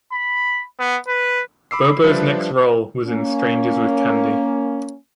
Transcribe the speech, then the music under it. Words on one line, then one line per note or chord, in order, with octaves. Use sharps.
Bobo's next role was in "Strangers with Candy".
B5
B3
B4
B5 D6 E6 C7
F3 G3 D4 B4 E5
A#3 C#4